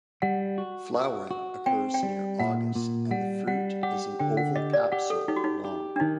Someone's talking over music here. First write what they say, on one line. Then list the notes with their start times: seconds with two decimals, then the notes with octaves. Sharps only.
Flowering occurs near August and the fruit is an oval capsule long.
0.22 G3 F#5
0.58 F#4
0.94 F#4
1.31 F#4
1.66 C4 G5
1.94 G5
2.03 G3
2.39 A#2 F#5
2.75 A#2
3.11 G3 F#5
3.47 G3 F#5
3.83 G4 F#5
4.19 D3 G5
4.37 F#5
4.56 G4 D#5
4.73 D5
4.92 G4 F#5
5.10 A4
5.28 D#4 G4
5.36 F#4
5.44 D#4
5.65 G4
5.96 D4
6.00 D#3 D#4